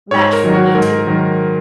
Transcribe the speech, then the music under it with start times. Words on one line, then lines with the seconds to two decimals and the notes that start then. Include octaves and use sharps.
match for me too."
0.11 G#2 C#5
0.33 A#4
0.44 D#3 F#3
0.54 F#4
0.75 G#2 A#4
1.07 D#3 F#3